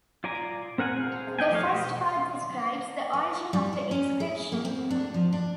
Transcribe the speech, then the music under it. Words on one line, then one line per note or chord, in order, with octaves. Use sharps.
The first part describes the origin of the inscription.
F4 D5 G#5 A#5
C4 A#4 F#5 G#5
G#4 C5 F5
D5 D#5 G5 G#5
F3 A3 C#5 F5
G4 B4 C5 D#5
B4
G3
E4
C#4
G#4
A#3
C4
D4
F3
D4